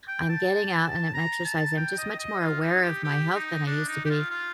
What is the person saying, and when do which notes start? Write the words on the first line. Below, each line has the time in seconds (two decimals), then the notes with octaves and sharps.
I'm getting out, and I'm exercising. I'm just much more aware of my health than I used to be,
0.08 G5
0.29 A5
1.14 A#5
1.45 A5
1.77 G5
1.98 D#5
2.19 D#5
2.40 F4
2.61 D#4
2.83 G4
3.04 G4
3.35 D#4
3.67 D4
3.88 D#4
4.05 G4
4.10 F4
4.31 F4